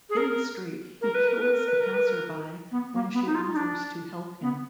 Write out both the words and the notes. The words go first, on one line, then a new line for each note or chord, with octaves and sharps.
In the street, he kills a passer-by when she offers to help him.
G#4
A#4
A#4
B4
A#4
B4
A#4
B4
A#4
B4
A#4
B3
A#3
B3
D#4
F4
D#4
D4
B3